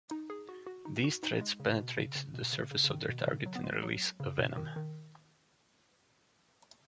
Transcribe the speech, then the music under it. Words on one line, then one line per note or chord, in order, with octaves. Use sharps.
These threads penetrate the surface of their target and release a venom.
D#4
G#4
F#4
F#4
D#4
F#4
D#4
G#3
C#3
B2
C#3
C#3
B2
C#3
C#3
C#3
D#3
B2
D#3
C#3
F#3
B3
G#3
F#3
C#3
B2
D#3
D#3